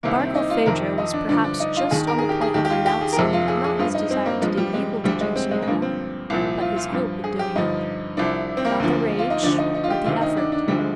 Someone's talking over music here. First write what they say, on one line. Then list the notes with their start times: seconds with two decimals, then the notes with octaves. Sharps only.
Barkilphedro was perhaps just on the point of renouncing not his desire to do evil to Josiana, but his hope of doing it; not the rage, but the effort.
0.03 C2 C3 D#3 A#3
0.20 C4
0.35 D#4
0.50 F4
0.66 F2 C3 D#3 A#4
0.98 D#4
1.13 D4
1.29 G2 D3 F3 D4
1.44 D4
1.60 D#4
1.76 F4
1.91 D#2 D#3 G#4
2.07 A#4
2.18 G#4
2.29 G4
2.41 G#4
2.54 D#2 D#3 G4
2.65 G4
2.70 F4
2.86 G4
3.01 G#4
3.13 A#4
3.16 F2 C3 F3 G#4
3.33 F4
3.48 G#4
3.64 G#4
3.79 G2 F3 F4
3.95 D#4
4.10 C4
4.26 A#3
4.42 G2 F3 G#3
4.57 G3
4.73 G#3
5.04 D2 D3 F3 G3
5.21 G#3
5.35 C4
5.51 G#3
5.62 G#3
5.67 G2 D3 F3 A#3
5.82 C4
6.30 C2 A#2 F3
6.61 F4
6.76 F4
6.92 G2 F3
7.24 G#4
7.39 G4
7.56 G2 D3 F3 D#4
8.17 C2 C3 F3 D4
8.57 C4
8.65 A#3
8.80 D2 D3 F3
9.19 F4
9.30 D#4
9.43 D2 D3 F3 D4
9.58 D#4
9.74 D#4
9.84 F4
9.90 G4
10.05 D2 C3 D#3 F4
10.21 D#4
10.37 D4
10.52 D4
10.68 D2 D3 F3 G3
10.79 G#3